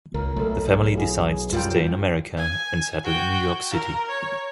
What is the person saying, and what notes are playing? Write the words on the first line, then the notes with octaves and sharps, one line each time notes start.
The family decides to stay in America and settle in New York City.
C#2 A#4
B1 A3 A#4
E4 F#4 G#4
G#4
F#2 G3 F4 A#4 G5
G#5
F#4 G5
A#4
C#5